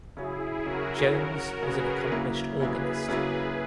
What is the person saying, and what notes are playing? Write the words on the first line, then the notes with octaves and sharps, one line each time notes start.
Jones was an accomplished organist.
C#3 F#3 C#4 E4 G#4
C#3 F#3 C#4 F#4 A#4
C#3 F#3 C#4 F#4 A#4
C#3 F#3 C#4 G#4 B4
C#3 F#3 A#3 E4
C#3 F#3 A#3 E4 G#4 B4
C#3 F#3 A#3 E4